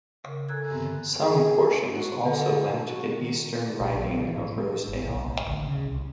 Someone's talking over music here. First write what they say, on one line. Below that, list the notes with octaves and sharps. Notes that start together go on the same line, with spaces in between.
Some portions also went to the eastern riding of Rosedale.
C#3 A#4
A4 G#5 A#5 E6 F#6 G#6
G2 D3 E3 B3 C4
G#4
F#4
D3
B2
F#4
D#3
A#1
F#3
E3
A2
G#3
G#1
B1
A1
D2
C#3
C2